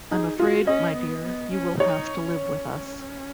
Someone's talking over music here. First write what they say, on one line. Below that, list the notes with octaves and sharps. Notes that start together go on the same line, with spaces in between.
I'm afraid, my dear, you will have to live with us.
D#4 G#4
F4 F#4
C#4 D#5
B3
B3
C#4
D#4 C#5
C#4